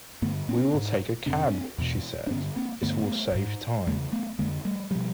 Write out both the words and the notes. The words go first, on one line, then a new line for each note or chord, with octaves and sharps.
"We will take a cab," she said: "it will save time."
G2 D3 A3 B3
B3 C#4
G#2
F2 C3 C4 D4
E2 B2
D4
G2 D3 B3 C#4
A#3 C4
G2 D3 A3 B3
G#2
E2 C#3 G#3 A#3
A3 B3
F2 D3 G#3 A#3
G3 A3
B2 F3 G3